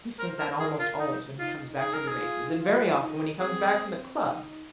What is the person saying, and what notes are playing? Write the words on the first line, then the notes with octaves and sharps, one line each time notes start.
"He says that almost always when he comes back from the races, and very often when he comes back from the club."
A#4 C5
A#4
G#4 A#4
F4
D#4
D#4 F4
D#4 G#4
A#4
G#4
F4
F4
D#4
C4 G#4
D#4